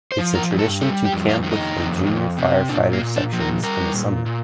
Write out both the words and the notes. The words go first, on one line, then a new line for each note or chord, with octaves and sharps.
It's a tradition to camp with the junior firefighter sections in the summer.
C5
F3
A#4
G2
A4
G3 A4
G4
F2
F4
D#3
D#4
F2
F2
C3
A#2 D4
A#3
A#2
D4
F3
A#4
G3 A#4
A#2
A#2